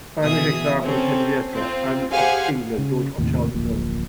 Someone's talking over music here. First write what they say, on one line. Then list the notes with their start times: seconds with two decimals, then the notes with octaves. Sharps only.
A famous example is Henrietta Anne of England, daughter of Charles the First.
0.21 B2 E3 G#4 E5 D#6
0.81 C4 C#4 A4
1.54 C4 F4
2.11 G4 G#4 C5 F5 F#5 G#5
2.78 C#3
3.18 D#2 A2 C3
3.54 D1 A#1 A#2